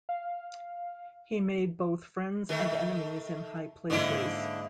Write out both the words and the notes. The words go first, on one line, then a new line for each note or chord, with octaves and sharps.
He made both "friends and enemies in high places".
F5
D#3 A3
G#2 D3 G#3 A#3 E4